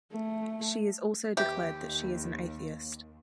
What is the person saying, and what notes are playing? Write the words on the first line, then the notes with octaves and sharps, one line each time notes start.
She has also declared that she is an atheist.
A3
D#2 G4 B4 E5